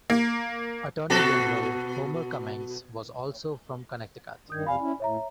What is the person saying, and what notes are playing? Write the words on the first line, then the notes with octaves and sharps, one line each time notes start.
Attorney General Homer Cummings was also from Connecticut.
A#3
B2 F#4 A4
G2 D#3 D#6 G6 G#6
F2 C3 D5 F5 G#5 B5
C#4 E4
A2 C#5 E5 A#5